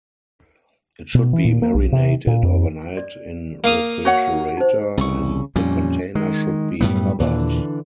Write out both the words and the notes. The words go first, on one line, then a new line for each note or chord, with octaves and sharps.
It should be marinated overnight in refrigerator, and the container should be covered.
B2
E3
A#2
A#3
B1
C3
A#2
F2
D5
A#3 F5 D#6
F#4 C#5 F#5
D#4 C5
C2 C#3 C#6
F2 A#2 G3 C#4
D#3 G#3
F#2 A2 G3 B3
D#2 A#2 D3 E3 D4